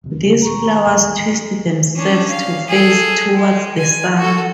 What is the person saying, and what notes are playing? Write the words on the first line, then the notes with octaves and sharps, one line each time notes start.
These flowers twist themselves to face toward the sun.
F1 D#2 C3
C#3
D#1 B2 A#5 C#6
D#2
D#1 A1 E2
C#4 D4
F5
G#4 A4
G#3
G#5
F#4 A4